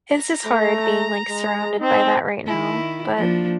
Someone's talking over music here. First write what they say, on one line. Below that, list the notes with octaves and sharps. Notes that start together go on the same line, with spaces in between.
it's just hard being, like, surrounded by that right now, but
A#5
A3
G#3
C4 D#4
D#3 E4
F3 A#3 D4